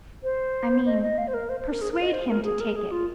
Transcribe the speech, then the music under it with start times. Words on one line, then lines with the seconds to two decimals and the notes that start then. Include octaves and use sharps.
I mean, persuade him to take it....
0.23 C5
0.86 D#5
1.02 D#5
1.18 F5
1.28 C5
1.34 A#4
1.49 C5
1.60 C5
1.71 A#4
1.82 G#4
1.92 A#4
2.02 D#5
2.13 C5
2.29 A#4
2.44 G#4
2.60 A#4
2.76 G#4
2.92 F4